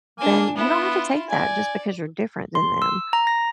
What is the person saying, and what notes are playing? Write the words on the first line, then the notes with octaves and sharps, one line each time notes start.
then you don't have to take that just because you're different than them,
A#3 D4 G#5
B3 E4 F4
D5 G#5
C6
E6
A#5
A#6